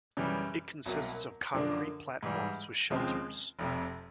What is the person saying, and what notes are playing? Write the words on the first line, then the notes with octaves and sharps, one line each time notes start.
It consists of concrete platforms with shelters.
F#2 C#3 E3 G3
C2 B2 F#3 A#3
F#2 D3 F3 A#3 D4
G#2 E3 G3
D#2 C#3 F3 G#3 C4
F1 F2 C3